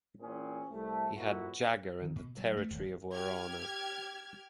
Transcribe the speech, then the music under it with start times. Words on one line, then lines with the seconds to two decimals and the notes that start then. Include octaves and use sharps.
He had Jagir in the territory of Warana.
0.21 A#2 E3 C4 C#4 G#4
0.70 C2 A3
1.16 F2 A#2 E4 F#4
2.02 D#3
2.16 B2
2.37 F#3
2.57 A3
2.71 D#1
3.14 G4 F6 G#6